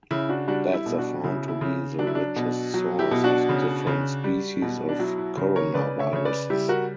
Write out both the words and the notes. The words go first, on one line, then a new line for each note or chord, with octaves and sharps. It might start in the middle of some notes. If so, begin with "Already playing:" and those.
Bats are found to be the richest source of different species of coronaviruses.
C#3 E4
D4 F#4
G3 D4 F#4
E4
B2
D4 F#4
C#3 E4
E4
C#3
F#3 D4
E4
D4
B2
F#3
E4 G4
B2
D4 F#4
C#3
C#3
G3
B2
D4
F#3 E4
E4
C#3
A#4 C#5
C#3 B4 D5
C#5 E5
C#3 C#5
B4 D5
G3 E4 G4
F#4 A#4